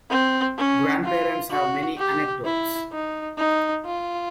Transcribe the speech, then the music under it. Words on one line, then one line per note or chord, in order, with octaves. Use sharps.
Grandparents have many anecdotes.
C4
C#4
F4
F#4
G4
E4
D#4
D#4
F4